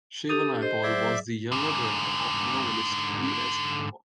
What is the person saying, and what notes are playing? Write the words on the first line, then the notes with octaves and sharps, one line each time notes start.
Shiva Naipaul was the younger brother of novelist V. S. Naipaul.
D4 G4 A4 D#6
C5 D#5
F#3 G#4 D5 E5
G#2 D3